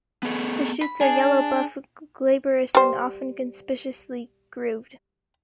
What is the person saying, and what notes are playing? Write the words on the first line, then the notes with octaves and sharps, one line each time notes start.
The shoots are yellow-buff, glabrous, and often conspicuously grooved.
B3 G#4 A4
B5
D4 G#4
G3 C5